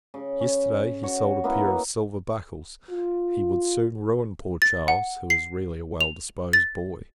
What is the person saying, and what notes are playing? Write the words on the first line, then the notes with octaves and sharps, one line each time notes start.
Yesterday, he sold a pair of silver buckles; he would soon ruin poor Charles, who is really a well-disposed boy.
C#3
C#4
F#4 C#5
A#3 B3 E4
F4
A6
F#5
C7
F7
A6